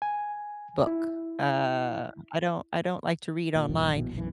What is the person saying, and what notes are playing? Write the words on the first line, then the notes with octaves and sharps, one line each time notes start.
book. Uh, I don't I don't like to read online,
G#5
E4
A#2
A#1 E2 G2 F3
A#1 B2 E3
B1 F#2 E3